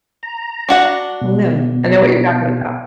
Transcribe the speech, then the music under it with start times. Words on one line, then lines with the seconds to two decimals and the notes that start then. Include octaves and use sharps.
I know I know what you're talking about.
0.23 A#5
0.69 D4 F#4 F#5
1.21 B2